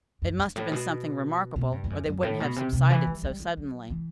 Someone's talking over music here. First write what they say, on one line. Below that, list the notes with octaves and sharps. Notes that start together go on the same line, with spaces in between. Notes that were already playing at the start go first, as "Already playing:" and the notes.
"It must have been something remarkable, or they wouldn't have subsided so suddenly."
F#2
G2
A2
B2
B2
G2
G2
F#2
F#2
A2
B2
C3
C3
E3
G3
G3
G3
F#3
E3